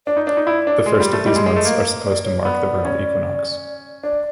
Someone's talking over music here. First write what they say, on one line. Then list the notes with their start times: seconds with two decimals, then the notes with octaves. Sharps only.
The first of these months are supposed to mark the vernal equinox.
0.06 D4 D5
0.17 D#4
0.26 D4 D5
0.37 D#4
0.47 E4 D5
0.67 D4
0.86 G#3
1.00 G3
1.13 A3
1.26 G3 D#5
1.36 G#3
1.46 G#3
1.56 A3
1.65 A#3
2.05 D5
2.25 C#5
2.45 B3 D5
2.85 C#4
4.03 D4 D5